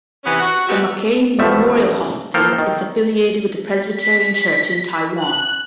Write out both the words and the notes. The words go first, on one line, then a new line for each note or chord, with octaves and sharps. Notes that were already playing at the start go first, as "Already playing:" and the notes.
The Mackay Memorial Hospital is affiliated with the Presbyterian Church in Taiwan.
C3 E3 B3 C#4
F#4 F#5
F#3 G#3 A3 B3 F#4 G4
A1 F2 B2 F3 A3 E5
F3 A#3 A4 F5 G5
D#3
B6
F#6